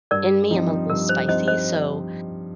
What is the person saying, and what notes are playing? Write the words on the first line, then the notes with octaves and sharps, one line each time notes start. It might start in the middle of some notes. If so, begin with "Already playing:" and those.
in me. I'm a little spicy, so
G2 A#4 D5
F3 C4 D#4
G2 A#4
C5
F3 C4 D#4 C5 D#5
C5 D#5